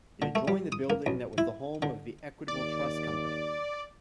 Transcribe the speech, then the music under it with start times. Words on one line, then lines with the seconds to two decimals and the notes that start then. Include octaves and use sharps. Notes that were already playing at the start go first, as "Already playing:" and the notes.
It adjoined the building that was the home of Equitable Trust Company.
0.22 D3
0.35 A3
0.48 G3
0.72 D#6
0.90 A#3
1.06 B1
1.38 E4
1.82 D3
2.48 D#2 D5